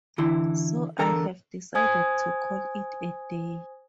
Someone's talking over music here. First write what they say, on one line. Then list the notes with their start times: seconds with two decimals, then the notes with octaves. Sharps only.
So I have decided to call it a day.
0.18 D3 E3 E4 C6
0.98 E2 D3 A4 A#4 A#5
1.75 C5 G#5 D#6 G#6